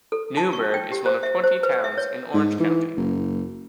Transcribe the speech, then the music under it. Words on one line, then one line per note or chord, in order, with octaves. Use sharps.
Newburgh is one of twenty towns in Orange County.
A4
A5
C#6
G5
G4
C5
E5
C5
B4
E5
C#5
G#2
E3
F#1